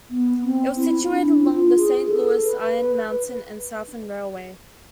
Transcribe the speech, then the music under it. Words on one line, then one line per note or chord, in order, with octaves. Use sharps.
It was situated along the Saint Louis, Iron Mountain and Southern Railway.
B3
C4
E4
D4
F4
G#4
A4
B4